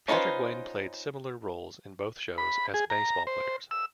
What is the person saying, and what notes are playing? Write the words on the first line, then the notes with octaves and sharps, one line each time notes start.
Patrick Wayne played similar roles in both shows as baseball players.
C#4 D#4 F4 B4 C5
B5
G#4
A#5
C5
E6